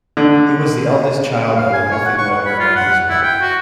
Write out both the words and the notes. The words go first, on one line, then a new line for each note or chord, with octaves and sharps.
He was the eldest child of a wealthy lawyer and his wife.
D3
F5
G#5
C#5
F#5
C#6
F#5
B5
F4
F#5
E4
G5
F#4